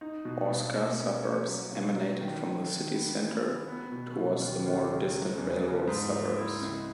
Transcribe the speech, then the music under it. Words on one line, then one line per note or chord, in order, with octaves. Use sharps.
Horsecar suburbs emanated from the city center towards the more distant railroad suburbs.
D#4
B2
B2
A#3
C#4
C#4
F#3
B2
F#3
D#3
D#3
D#3
B3
E3
B3
B3
B2
B2
D#2
D#2
C#3
F#3
E2
C#3
G#2
A#3
E4
C#2